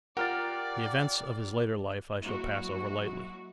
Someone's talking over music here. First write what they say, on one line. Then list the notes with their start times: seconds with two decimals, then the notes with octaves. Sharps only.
The events of his later life I shall pass over lightly.
0.17 F4 G4 A#4 D5 F#5 F6 A6
2.21 F#3 G#3 A#3 E4 F#4